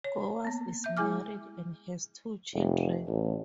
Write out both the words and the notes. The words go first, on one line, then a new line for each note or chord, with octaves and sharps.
Gowers is married and has two children.
C#5
A#3 B3
E5 G6
G#3 E4 G#4 G#5 D6 F6
F1
A1